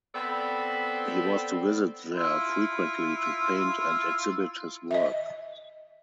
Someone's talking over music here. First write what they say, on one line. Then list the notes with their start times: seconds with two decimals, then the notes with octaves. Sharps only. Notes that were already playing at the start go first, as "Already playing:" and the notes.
He was to visit there frequently to paint and exhibit his work.
0.15 B3 C4 A4 D5 B5
2.14 E4 F4
4.91 D#5 E5